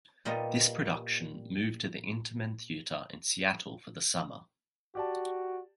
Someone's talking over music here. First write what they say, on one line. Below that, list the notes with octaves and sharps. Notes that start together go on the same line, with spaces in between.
This production moved to the Intiman Theatre in Seattle for the summer.
A#2 G3 A#3 B3 D#5
F#4 G4 D5 A5